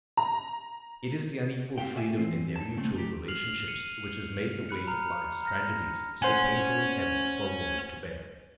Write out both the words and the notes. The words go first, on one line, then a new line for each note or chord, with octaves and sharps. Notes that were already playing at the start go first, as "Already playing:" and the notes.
It is the unequal freedom in their mutual relationships which has made the weight of life's tragedies so painfully heavy for woman to bear.
A#5
C4 F#4 G4 F5 G5
G#4 D5 E5 G#5
E3 C4
D#4 A5
C#3 A3 C4
A3 D#4 G4
F6 C7 F7 F#7
C#7 D#7 F7
B5 F#6 C#7
A#5 F6
A#5 F6 A#6
C#4 C5 F#5 G#5